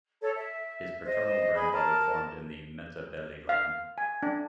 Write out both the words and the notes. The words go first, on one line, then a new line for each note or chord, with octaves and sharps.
His paternal grandfather farmed in Matabeleland.
A4 C#5
E5
C5 D#5
G#4 B5
A#4 A5
F5
G#5
D4